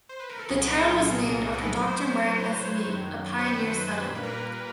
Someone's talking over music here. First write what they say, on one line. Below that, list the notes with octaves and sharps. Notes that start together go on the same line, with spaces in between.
The town was named after Doctor Martin S. Mead, a pioneer settler.
C5
B4
A#4
A4
C2 A#2 F#3 B3 G#4
G#4
A4
C2 A#2 F#3 B3 A#4
A#4
B4
A4
A2 F#3 A3 A#4
C5
C#5
C5
A2 F#3 A3 B4
C5
F#2 D#3 F#3
C5
F#2 D#3 F#3 B4
B4
A#2 G3 A#3 B4
B4
A#4
A#4